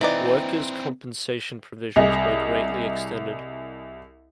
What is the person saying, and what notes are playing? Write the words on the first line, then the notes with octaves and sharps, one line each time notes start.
Workers' compensation provisions were greatly extended.
E3 C4 D#4 B4 D5
C2 G#4 D#5